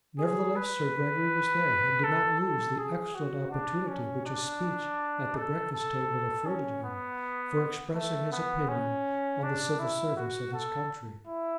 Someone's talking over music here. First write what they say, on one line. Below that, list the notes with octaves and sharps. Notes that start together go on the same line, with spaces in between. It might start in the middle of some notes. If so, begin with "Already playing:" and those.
Nevertheless Sir Gregory was there, and did not lose the excellent opportunity which a speech at the breakfast-table afforded him for expressing his opinion on the Civil Service of his country.
G#4
B4
A4
A4
G#4
F#4
D4
C#4
D4
A4
A4
C#4
B3
A3
B3
C#4
D4
E4
F#4
A4
E4